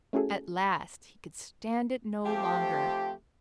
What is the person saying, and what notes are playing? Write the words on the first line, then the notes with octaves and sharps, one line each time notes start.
At last he could stand it no longer.
A3 C#4 E4 F#4 G#4 A4
F3 A3 C4 G4